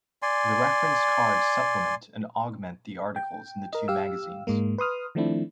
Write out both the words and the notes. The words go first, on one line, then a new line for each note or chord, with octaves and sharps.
The reference cards supplement and augment the articles in the two magazines.
D5 G#5 C6
G5
A#4 D#5
G4 F5 E6
G#2 G#3 A#3
B4 C6 D#6 F6
D#3 F3 A3 C4 D4 E4